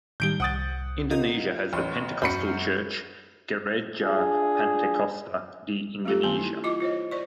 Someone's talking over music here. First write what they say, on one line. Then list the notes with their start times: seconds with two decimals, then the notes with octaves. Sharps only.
Indonesia has the pentecostal church Gereja Pantekosta di Indonesia.
0.20 A2 D#3 G3 G6 D7 G7
0.40 C2 F#5 D#6 A6
1.11 F4 A#4 D#5
1.73 A1 C6 C#6 F6
2.22 F#2 B5 G6 C#7
4.03 D4 F4 G#4
6.05 F#3 A3 C4 F4 G4 A4
6.24 D#3 A3 B3 G4 G#5 A5
6.37 D#4 E4
6.64 E4 F4 D#5 D6
6.80 F4 C5 C#5 D#5
7.11 C5 D5 C#6